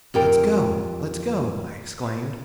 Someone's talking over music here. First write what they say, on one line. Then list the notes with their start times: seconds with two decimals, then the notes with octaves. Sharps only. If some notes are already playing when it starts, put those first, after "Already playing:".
"Let's go, let's go!" I exclaimed.
0.14 F2 G4 A#4